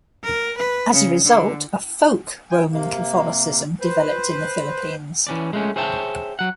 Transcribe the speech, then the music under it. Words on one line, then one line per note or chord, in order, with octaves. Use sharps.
As a result, a folk Roman Catholicism developed in the Philippines.
A#4
B4
C#3
D3
G5 G#5
C3 A#3
B4 C5
E3 C#4 D5
G#3 A3 C#4
G#4 C5 C#5 E5 G5 A5
F#3 F#5